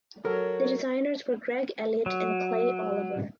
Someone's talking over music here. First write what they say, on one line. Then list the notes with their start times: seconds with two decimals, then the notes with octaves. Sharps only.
The designers were Greg Elliott and Clay Oliver.
0.25 F#3 A4 A#4 C#5
2.06 F#3